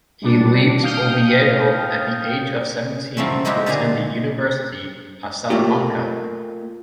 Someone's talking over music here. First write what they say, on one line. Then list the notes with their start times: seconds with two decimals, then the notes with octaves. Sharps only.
He leaves Oviedo at the age of seventeen to attend the University of Salamanca.
0.22 G3 D4
0.83 F5 G5 D#6 F6 G6
3.17 C#3 F3 F#3 A3 C4 C#4
3.45 G#3 C4 D#4 E4 F#4 G4
3.66 A#2 D3 G4 G#4 G#5 A#5
5.50 A3 A#3 F4 G4